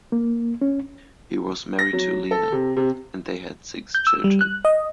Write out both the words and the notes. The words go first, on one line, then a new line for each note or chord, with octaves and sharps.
He was married to Lena, and they had six children.
A#3
C#4
A#6
F#3
A4
C3
C3
G6
E6
G3
F#6
D#5